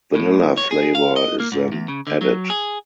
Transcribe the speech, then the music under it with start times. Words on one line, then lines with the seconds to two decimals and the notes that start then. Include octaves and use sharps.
Vanilla flavor is then added.
0.15 A2
0.57 C#5
0.71 G#4
0.95 F5
1.16 D#5
1.40 A#3
1.52 G#2
1.72 E2
1.88 C#3
2.07 D3
2.21 F#3
2.50 G#4